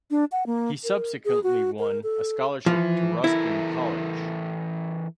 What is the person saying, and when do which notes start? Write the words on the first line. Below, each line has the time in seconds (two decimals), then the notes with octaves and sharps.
He subsequently won a scholarship to Ruskin College.
0.11 D4
0.32 F#5
0.46 A#3
0.84 A#4
1.25 G#4
1.43 F#4
1.79 A#4
2.03 A4
2.66 E3 F3
3.24 E3 E4 A4 A#4